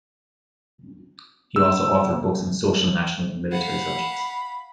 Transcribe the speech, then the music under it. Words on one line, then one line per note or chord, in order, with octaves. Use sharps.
He also authored books on social-national and military subjects.
E6
F5 F#5 B5